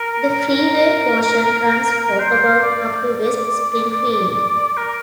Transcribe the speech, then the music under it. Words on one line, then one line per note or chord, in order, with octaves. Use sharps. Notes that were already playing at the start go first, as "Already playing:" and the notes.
The freeway portion runs for about up to West Springfield.
Already playing: A#4
A#4
C5
D5
A#4